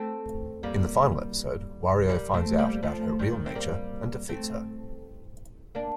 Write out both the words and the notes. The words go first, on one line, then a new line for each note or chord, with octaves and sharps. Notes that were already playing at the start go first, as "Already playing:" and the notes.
In the final episode, Wario finds out about her real nature and defeats her.
Already playing: A3 C4
G3 A#3
G3 A#3
A3 C4
G3 A#3
F3 A3
D#3 G3
C4
G3 A#3
A3 C4
A#3 D4